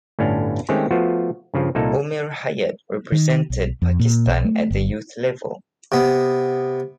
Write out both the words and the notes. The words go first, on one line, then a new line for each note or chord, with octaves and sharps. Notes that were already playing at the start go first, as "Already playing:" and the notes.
Umer Hayat represented Pakistan at the youth level.
G1 A2 C#4 D4 F5
D#3 G#3 A3 C4 C#4 G4
F3 A3 B3 F4 F#4
G2 C#3 F3
C2 A#2 A#3 D#4 A4
D#3
B1
F2
A#2
B1
A3
G1
C3 B3